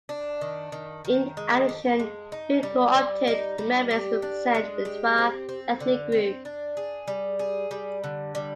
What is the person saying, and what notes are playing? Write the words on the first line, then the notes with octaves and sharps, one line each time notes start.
In addition, three co-opted members represent the Twa ethnic group.
D4
D#3
D#3
D#3
G#3
G4
G#3
D#4
G3
G3
D#4
G3
G4
D4
G#3
G4
C4
C4
D3
C4
D4
G#4
G3
G#4
G3
D3
G3